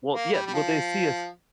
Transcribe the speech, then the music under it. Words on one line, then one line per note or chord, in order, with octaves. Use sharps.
Well, yeah, well, they see us
A#3
G3
G3
F3